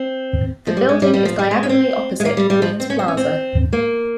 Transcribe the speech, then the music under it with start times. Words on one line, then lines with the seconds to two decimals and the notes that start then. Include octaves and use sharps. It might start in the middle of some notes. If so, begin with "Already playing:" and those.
The building is diagonally opposite QueensPlaza.
Already playing: C4
0.67 F3
0.77 G3
0.89 G#3
1.02 G3
1.13 G3
1.25 F3
1.39 G3
1.51 G#3
1.63 C#4
1.69 C4
2.20 G#3
2.25 A#3
2.37 G3
2.50 G3
2.62 F3
2.80 C4
2.90 C#4
2.99 C4
3.08 C#4
3.17 C4
3.73 A#3